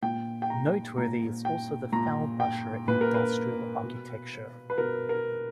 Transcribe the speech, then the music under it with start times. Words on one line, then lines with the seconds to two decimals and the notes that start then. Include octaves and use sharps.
Noteworthy is also the Fellbacher industrial architecture.
0.02 A#2 G5
0.42 G5
0.50 A#5
0.98 A#2 A#5
1.45 G5
1.92 A#2 A#5
2.40 G5
2.88 A#2 B4
3.01 A#4
3.14 B4
3.83 B2
4.70 B4
4.78 B2 A#4
5.09 A#4